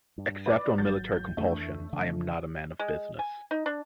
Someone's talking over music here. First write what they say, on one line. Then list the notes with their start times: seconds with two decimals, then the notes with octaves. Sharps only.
Except on military compulsion, I am not a man of business.
0.18 G2
0.46 B4 D5 D6
0.78 G#1 F#3 G6 A6
1.12 G6
1.37 F2 E3 A3 D4
1.93 C#3 E3 D4
2.79 G#3
3.19 G#5
3.51 D#4
3.66 D4